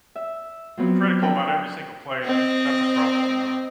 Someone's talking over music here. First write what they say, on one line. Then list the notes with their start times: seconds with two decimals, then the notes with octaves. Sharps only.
critical about every single play, then that's a problem, you know?
0.16 E5
0.77 F3 F#3 B3 C4
1.22 D4 E4 A#4 G5
2.25 C4 D#5